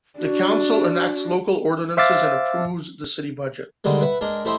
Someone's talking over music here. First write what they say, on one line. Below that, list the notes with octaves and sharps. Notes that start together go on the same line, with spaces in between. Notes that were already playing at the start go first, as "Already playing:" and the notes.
The council enacts local ordinances and approves the city budget.
D4 F#4
C5 E5 F5 D6 E6 A6
D3 D#3 G3 G#3
B4 E5 F#5
G#3 D4 A#4
A3 E4 G4 C5 D#5 E5